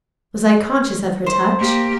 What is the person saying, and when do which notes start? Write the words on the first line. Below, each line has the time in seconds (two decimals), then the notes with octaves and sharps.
Was I conscious of her touch?
1.26 C5
1.58 A#3 G4